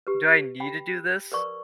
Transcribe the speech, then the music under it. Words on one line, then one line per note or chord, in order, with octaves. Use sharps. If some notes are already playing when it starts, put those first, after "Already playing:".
do I need to do this?
G4 B4
G5 B5
A#4 B4 D5 C#6